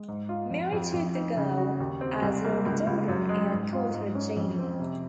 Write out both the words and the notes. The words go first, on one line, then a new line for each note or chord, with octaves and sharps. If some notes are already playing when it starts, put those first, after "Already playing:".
Mary took the girl as her daughter and called her Janie.
Already playing: G#3
G#2
F4
F2
F2
F2
D#4
C#3
F#4
D#2
C4
C2
A#3
C#2
C#2
F#2
G#3
G#2
F4
G#2
C#4
F2
C4
C3